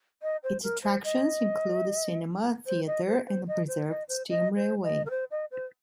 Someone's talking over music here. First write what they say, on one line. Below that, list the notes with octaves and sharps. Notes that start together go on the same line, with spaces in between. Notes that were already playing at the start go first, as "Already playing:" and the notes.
Its attractions include a cinema, a theatre and a preserved steam railway.
D#5
C5
A#4
C5
D#5
C5
D#5
C5
C5
D#5
C5
D#5
C5
D#5
C5
D#5
A#4
C5
D#5
C5